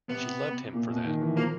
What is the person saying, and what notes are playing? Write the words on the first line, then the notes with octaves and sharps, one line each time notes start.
She loved him for that.
C3 B3
A#2
B2
D#3
E3
F3 A#3